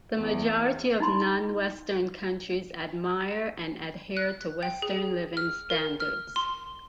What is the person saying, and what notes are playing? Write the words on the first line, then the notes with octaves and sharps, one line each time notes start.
The majority of non-Western countries admire and adhere to Western living standards.
E2
D#4 E4 B5 C6
F#6
G5
G#4
F6
A#4
F6
C6